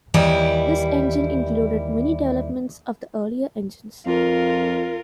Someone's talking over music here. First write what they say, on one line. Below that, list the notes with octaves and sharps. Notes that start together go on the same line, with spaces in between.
This engine included many developments of the earlier engines.
D#2 E3 G3 E4 G4 D#5
F2 F4 A#4